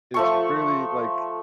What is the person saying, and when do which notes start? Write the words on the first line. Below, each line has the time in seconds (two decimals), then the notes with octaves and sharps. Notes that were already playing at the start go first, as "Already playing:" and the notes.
it's really like
0.14 F3 A3 C#6